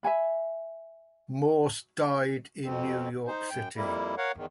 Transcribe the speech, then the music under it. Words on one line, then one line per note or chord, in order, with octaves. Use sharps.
Morse died in New York City.
E5 F#5 G#5 B5
F2 B2 C4
D#4 C5
F#2 G5
F2 G3 A#3 E4
A#4 C#5 F5 F#5
E2 D#3